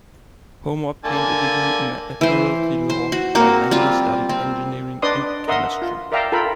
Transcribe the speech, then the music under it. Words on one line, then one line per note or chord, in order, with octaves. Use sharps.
Homer obtained a degree in admiralty law, while Langley studied engineering and chemistry.
D3 A#3 G#5 A5
E3 C5
C5
F#4
A#3 C4 F#4
G3 C4 F4
C4
D4 B4 D5 D#5 C6 D#6
A#4 D#5 E5 F#5 C6 D#6
F4
A#4 D5 E5 F5 G5 A#5
F4 A4 A#4 G5 B5